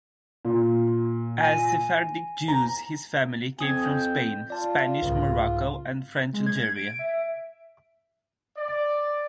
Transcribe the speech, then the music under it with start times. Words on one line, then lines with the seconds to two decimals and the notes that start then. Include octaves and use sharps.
As Sephardic Jews, his family came from Spain, Spanish Morocco and French Algeria.
0.45 A#2
1.40 G#5 A#6 D#7
2.48 A#5
3.59 F2 C4 G#5 D#6 G#6
3.86 G6
4.50 F4 D5 A5
5.02 C2 G#2 C#3
6.33 G#3
6.46 G#6
6.76 D7
6.99 E5
8.57 D5